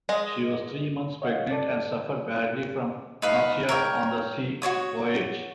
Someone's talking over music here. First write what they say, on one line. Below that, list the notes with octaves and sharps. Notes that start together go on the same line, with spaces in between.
She was three months pregnant and suffered badly from nausea on the sea voyage.
G#3 D#5
C#5 D#5 F5 F#5
A4 D5 A5
D#4 B4 F5
A#4 C#5 G5
F#4 C5 C#5 D#6